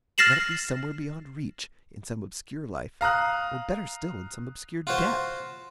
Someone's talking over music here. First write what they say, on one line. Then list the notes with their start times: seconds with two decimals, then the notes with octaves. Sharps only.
Let it be somewhere beyond reach; in some obscure life--or, better still, in some obscure death.
0.18 F6 A6 A#6 C7 E7 F#7
3.01 F5 A#5 D#6 F#6
4.87 F4 F#4 C5